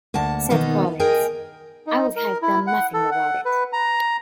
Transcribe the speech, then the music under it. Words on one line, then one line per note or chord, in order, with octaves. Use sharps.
Said Collins: I would have done nothing about it.
D2 A#3 F#5 A5
B2 D#3 A#3 B3 D#4
G#4 A#4 D#5 G5 G#5
D#4
A#4
E4
F#5
A4
F#5
B4
A#5